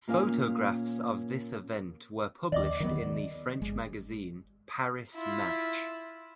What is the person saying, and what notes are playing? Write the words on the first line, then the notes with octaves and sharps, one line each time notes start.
Photographs of this event were published in the French magazine "Paris Match".
A#2 A#3 C#4 F5 G#5
D#2 D#3 D5 D#5 D6
D#3 F#3 B3
G1 G#3
E4 F4